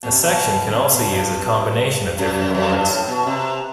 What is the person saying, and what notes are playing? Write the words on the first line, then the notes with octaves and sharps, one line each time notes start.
The section can also use a combination of different horns.
B2
C3
B2
D3
C3
B2
G2
F#2
F#2
G2
A2
B2
C3